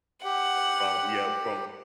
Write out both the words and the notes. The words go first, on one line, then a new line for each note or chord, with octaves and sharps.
from yeah, from
G4 F#5